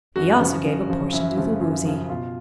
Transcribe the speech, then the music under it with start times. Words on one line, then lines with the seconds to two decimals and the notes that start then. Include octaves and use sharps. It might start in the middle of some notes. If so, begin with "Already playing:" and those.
He also gave a portion to the Woozy.
0.16 F#2 F#4
0.40 C#3 F3
0.64 F#2
0.89 C#3 F3
1.13 F#2 E4
1.37 C#3 F3
1.61 F#2
1.86 C#3 F3
2.10 B2 F4